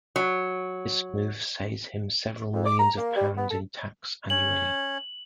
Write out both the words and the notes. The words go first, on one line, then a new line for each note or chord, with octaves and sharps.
This move saves him several millions of pounds in tax annually.
F#3
F2
D6
A#5
A#3
G3
B3
A4
C#4 F#7